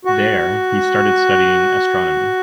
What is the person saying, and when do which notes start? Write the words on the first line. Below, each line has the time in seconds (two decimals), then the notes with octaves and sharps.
There he started studying astronomy.
0.05 F#4